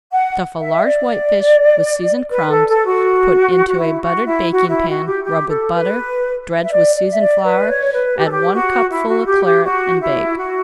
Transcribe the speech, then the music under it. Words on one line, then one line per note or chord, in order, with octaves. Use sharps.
Stuff a large whitefish with seasoned crumbs, put into a buttered baking-pan, rub with butter, dredge with seasoned flour, add one cupful of Claret, and bake.
F#5
E5
D5
B4
A4
A4
F#4
F#4
E4
F#4
E4
F#4
E4
F#4
G4
G4
A4
B4
E5
D5
D5
E5
D5
B4
C#5
B4
G4
A4
G4
F#4
E4
F#4
G4
G4
F#4
E4
F#4